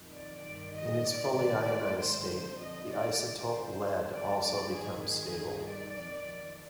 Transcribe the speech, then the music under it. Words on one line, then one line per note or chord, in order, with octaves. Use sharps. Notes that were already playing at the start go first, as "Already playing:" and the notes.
In its fully ionized state the isotope Pb also becomes stable.
Already playing: F2 D#3
D5
G2 D#3
D#5
G#2 D#3 D5
D5
G#2 D#3
C5
F2 D3
D#5
G2 D#3 D5
G2 D3 C5
F2 D3 D5
D5
G#2 D#3 G#4
G#4
G2 D#3
D5
F2 D#3